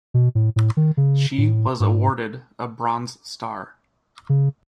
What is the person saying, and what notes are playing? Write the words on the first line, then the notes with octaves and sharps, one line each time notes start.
She was awarded a Bronze Star.
B2
A2
A2
D#3
C#3
A2
G#2
C#3